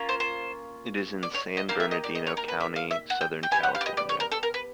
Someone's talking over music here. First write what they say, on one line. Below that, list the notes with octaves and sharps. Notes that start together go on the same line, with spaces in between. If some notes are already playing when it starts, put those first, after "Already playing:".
It is in San Bernardino County, Southern California.
Already playing: A#3 C#4 F4
C5
C5
D5
C#5
D#5
A#3 D#4 G4 F5
E5
D#5
D5
D#5
C#5
A#4
B4
E5
F5
E5
F#5
G5
G5
B3 E4 G4 G#5
F#5
F5
D5
D#5
D5
C#5
A#4
A4
A#4
B4